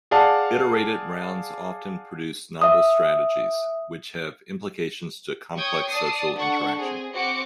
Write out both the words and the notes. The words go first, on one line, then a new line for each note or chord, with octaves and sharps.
Iterated rounds often produce novel strategies, which have implications to complex social interaction.
G#4 D5 F5 F#5 A5
E5 D#6
C#5 G5 C#6 D#6 G#6
D5 A5 D#6 C7
D4 A4 F#5 C#6
C4 G#4
C4 F#4 D6 C#7